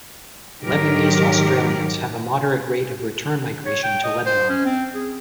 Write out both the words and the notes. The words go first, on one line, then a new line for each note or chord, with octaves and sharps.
Lebanese Australians have a moderate rate of return migration to Lebanon.
G#2 D#3 F#3 G4 A#4
C#5
G5
D#5
C5
C#4
C4
G#4